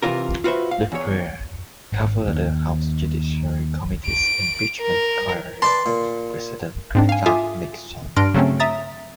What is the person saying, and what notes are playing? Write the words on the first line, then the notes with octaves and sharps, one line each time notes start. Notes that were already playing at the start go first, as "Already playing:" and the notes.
Lehrer covered the House Judiciary Committee's impeachment inquiry of President Richard Nixon.
C3 E3 E4 F4 A#4
F4 F#4 B4 C5 E5
F5
E2 C#5
G#1
D#2
D7
A#4
B4 D5 A5 C6
A#2
G#2 C4 D4
F5 G#5
F4 A4 E5 G#5 D6 D#6
G2 D4 C6 F6 A#6 D7
C#3 F#3 A3 C4 C#4
E5 A#5 D#6 A6